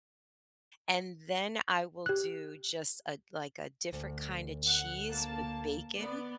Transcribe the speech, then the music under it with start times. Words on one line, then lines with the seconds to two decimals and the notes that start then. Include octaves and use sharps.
And then I will do just a, like, a different kinda cheese with bacon.
2.06 G4 F#6
3.93 D2
4.68 F#5
5.10 A#3 A5
5.96 B3 D5